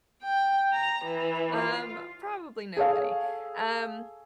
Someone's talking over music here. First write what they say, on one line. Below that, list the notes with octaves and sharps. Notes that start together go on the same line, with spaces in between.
Um, probably nobody, um,
G5
A#5
E3
F4
G#4 A4 C#5 F5